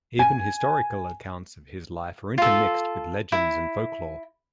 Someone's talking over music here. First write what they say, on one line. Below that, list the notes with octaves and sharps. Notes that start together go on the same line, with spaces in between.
Even historical accounts of his life are intermixed with legends and folklore.
G#5
F4 A4
E4